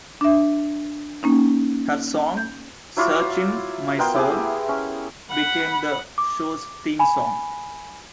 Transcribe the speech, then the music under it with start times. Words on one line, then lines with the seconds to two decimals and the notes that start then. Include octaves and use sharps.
Her song "Searchin' My Soul" became the show's theme song.
0.21 D4 E5
1.23 A#3 C#4 D#4
2.37 G6
2.97 F#3 E4 F4 D6
3.98 B3 A#4 G5 C6
4.14 E4 G4 G#4
4.69 C#4
5.30 F#5 B5
6.18 D6
6.99 G#5 B5